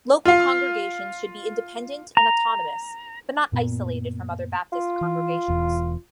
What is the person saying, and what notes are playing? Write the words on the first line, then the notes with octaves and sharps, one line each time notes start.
Local congregations should be independent and autonomous, but not isolated from other Baptist congregations.
F4 F5
A#5
F#2 A#2 B3
F4
E3
E1 E2